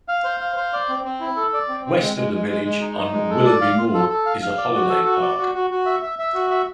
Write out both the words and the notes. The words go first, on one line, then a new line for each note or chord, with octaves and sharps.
West of the village on Willoughby Moor is a holiday park.
F5
C5
F5
C5
D5
C4
C4
E4
A4
D5
C4
C4
G#3
G#3
G#3
G#3
G#3
D#4
D#4
G#3
A4
D5
F5
F4
A4
A4
F5
F5
D5
F#4
A4
F#4
D5
F#4
F#4
F#4
E5
E5
E5
F#4
E5